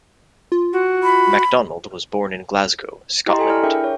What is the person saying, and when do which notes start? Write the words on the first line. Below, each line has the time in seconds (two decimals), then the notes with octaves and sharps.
Macdonald was born in Glasgow, Scotland.
0.52 F4
0.73 F#4
1.04 B5
3.26 E4 G4 D#5 G5 A#5 C6
3.39 A4 G#5 C#7
3.50 E4 D5 B5 F6
3.63 D4 G#4 A#4 E5 G5
3.84 C#5